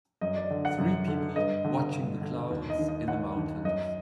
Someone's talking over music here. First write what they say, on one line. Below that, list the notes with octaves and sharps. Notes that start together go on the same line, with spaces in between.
Three people watching the clouds in the mountains.
F#2 D#5
D5
D3
F#5
F#2
D3
G2 D#5
D3
G2
D3
D#2
D#5
D#3
D#5
D#2 F#5
D#3
F#2 D#5